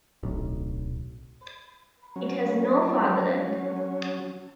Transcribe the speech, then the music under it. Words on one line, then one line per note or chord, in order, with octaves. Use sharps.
It has no fatherland.
D1 B1
F#3 C#4